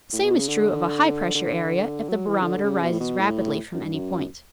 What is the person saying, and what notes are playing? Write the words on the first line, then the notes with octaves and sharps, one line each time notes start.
The same is true of a high-pressure area, if the barometer rises rapidly from any point.
A2
B2
C#3
D3
D3
F#3
E3
C#3
D3
C#3
B2
A2
B2
A2
F#2
G2
F#2